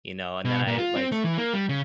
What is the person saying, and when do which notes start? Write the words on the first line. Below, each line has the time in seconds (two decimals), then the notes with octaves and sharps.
you know, and then I, like
0.45 B2
0.67 A#2
0.78 F4
0.96 C4
1.12 A3
1.24 E3
1.38 A#3
1.53 G3
1.69 C#3